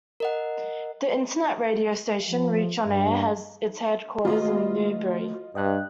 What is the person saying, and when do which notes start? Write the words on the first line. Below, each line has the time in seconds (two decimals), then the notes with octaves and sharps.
The internet radio station Reach OnAir has its headquarters in Newbury.
0.20 A#4 D#5 F#5
2.29 F3
2.87 G2
4.25 D#3 A3 F4 F#4 B4 D#5 C6
5.55 G2 D#5 G5 F#6